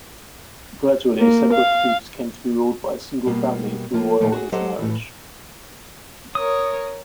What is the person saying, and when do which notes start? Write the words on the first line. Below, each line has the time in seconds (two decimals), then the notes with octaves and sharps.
Gradually, separate fiefs came to be ruled by a single family through royal intermarriage.
1.19 A#3
1.53 F5
3.26 B2 G3 A#3
3.93 F3 A#3 F4
4.20 A#2 D#3 F3 A3 A#3
4.32 F#4 G#4
4.52 F#3 G4 A4 C5 D#5 F#5
4.79 A2 E3
6.35 A#4 C#5 D#6